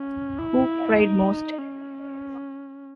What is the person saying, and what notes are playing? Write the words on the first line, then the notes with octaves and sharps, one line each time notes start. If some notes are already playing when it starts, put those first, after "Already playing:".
Who cried most?
Already playing: C#4
E4
D#4
C#4